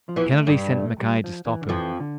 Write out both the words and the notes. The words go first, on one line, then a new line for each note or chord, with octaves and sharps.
Kennedy sent Mackay to stop him.
F3
E2 E3
A3
G2 G3
A3
G3
F3
E3
D3
F2 E3 F3
D3